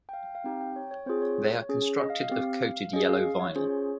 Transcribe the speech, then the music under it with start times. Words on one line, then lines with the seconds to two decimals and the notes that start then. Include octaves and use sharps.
They are constructed of coated yellow vinyl.
0.09 G5
0.13 F5
0.35 F5
0.44 C4 D#4 G4 G5
0.61 G5
0.76 C#5
0.91 C#5
1.06 C4 F4 G#4 C5
1.22 C#5
1.69 C#4 G#4
2.00 D#5
2.10 F5
2.20 F5
2.31 C4 G4
2.93 C#4 G#4 D#5
3.09 F5
3.40 C#5
3.55 C#4 F4 G#4 C5
3.71 C#5